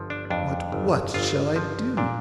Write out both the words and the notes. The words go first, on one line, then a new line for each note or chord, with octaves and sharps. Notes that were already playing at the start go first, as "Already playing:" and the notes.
'What, what, shall I do!'
Already playing: G1 F3
D4
F2 D4
G1
G1 F4
F3
A#2 D4